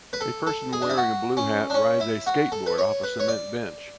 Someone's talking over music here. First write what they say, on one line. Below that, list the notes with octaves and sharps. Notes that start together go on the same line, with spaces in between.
A person wearing a blue hat rides a skateboard off of a cement bench.
B4
A4
A4
G#4
D4
E4
F#4
C#4
D4
C#4
E4
F#4
A4
B4
C#5
B4
C#5
D5